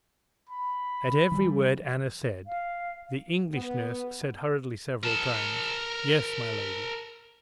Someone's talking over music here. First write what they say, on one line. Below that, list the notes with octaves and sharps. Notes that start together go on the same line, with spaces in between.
At every word Anna said, the English nurse said hurriedly several times, "Yes, my lady."
B5
E3 G3
F5
B3
A#4 A5